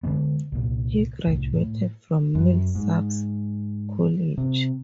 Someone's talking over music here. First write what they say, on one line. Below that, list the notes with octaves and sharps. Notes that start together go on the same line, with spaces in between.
He graduated from Millsaps College.
D3 D#3 G#3 B3
C2 A#2
C2 A2
A2
F#2
G#2
C3